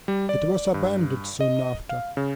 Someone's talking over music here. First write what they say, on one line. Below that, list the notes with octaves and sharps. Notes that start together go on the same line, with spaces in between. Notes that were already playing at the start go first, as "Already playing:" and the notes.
It was abandoned soon after.
G3
D5
G2
D#5
F5
C#3